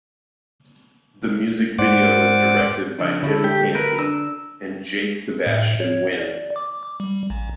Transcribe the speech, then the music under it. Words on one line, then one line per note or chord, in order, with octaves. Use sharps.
The music video was directed by Jim Canty and Jake-Sebastian Wynne.
G#2 C5 D5 F#5 D6
C#3 F3 D4
D3 C#4 D4 E4 A4
G4
A3
A#4 B4
D4 A#5 E6
A2
C#5
D5
D6
G3
A1